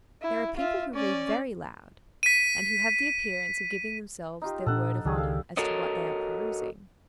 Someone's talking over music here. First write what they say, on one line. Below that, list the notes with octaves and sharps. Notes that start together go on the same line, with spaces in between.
There are people who read very loud, and who have the appearance of giving themselves their word of honor as to what they are perusing.
E4
F4 E5
C#4 D5
B6 D#7
D#4 F4 G4
A#2 D4 A4 F#5
C#2 D#3 D4 G4 G#4
A4 F5
F#4 A4 A#4 C#5 D#5